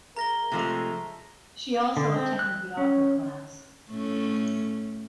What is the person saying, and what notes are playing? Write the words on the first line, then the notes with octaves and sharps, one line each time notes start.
She also attended the opera class.
G#4 A#4 E5 A#5 A#6 G7
C3 F3 G#3 A3
D3
C4
F#6
C#4
A2 A3 C#4